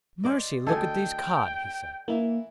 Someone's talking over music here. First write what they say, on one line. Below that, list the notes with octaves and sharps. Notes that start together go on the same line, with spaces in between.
"Mercy, look at these cod!" he said.
C5 D5 D#5
D2 A4 D#5 G5 G#5
E3 A#3 E4